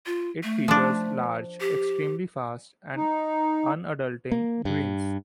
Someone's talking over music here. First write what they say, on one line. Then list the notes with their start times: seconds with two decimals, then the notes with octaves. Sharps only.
It features large, extremely fast, and undulating greens.
0.06 F4
0.43 A3
0.68 F3 D4
1.61 G4
2.97 D#4
4.32 A#3
4.65 G2